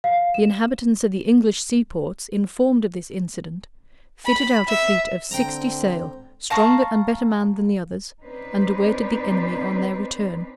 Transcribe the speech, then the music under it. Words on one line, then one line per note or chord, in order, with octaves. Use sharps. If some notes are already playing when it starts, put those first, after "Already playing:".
The inhabitants of the English seaports, informed of this incident, fitted out a fleet of sixty sail, stronger and better manned than the others, and awaited the enemy on their return.
F5
E7
B5
E5
D3 C4 G5 A#5
F5 A5 A#5 C#6
C4 C#4 D#4 B4 C5 D5